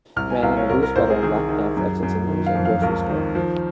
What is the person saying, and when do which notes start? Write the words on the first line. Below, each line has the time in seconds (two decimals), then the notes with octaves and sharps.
A man in a blue sweater and black pants exits a news and grocery store.
0.16 C2 F6
0.30 G#5
0.42 C2 F5
0.57 C#5
0.69 C2 A#4
0.83 A#4
0.96 C2 C5
1.10 G#4
1.23 D#3 G#4
1.49 D#3
1.77 F#2
2.03 F#2
2.29 D#3
2.46 F5
2.55 F2
2.65 F5
2.82 C#2 A#4
3.10 D#3
3.35 F3